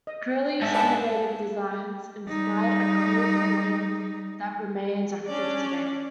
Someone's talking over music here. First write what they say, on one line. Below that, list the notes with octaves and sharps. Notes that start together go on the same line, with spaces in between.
Curlee's innovative designs inspired a cult following that remains active today.
D#5
G#2 E5 A5
B4 D5 E5 A5
G3 D#4
C#4 D4 D5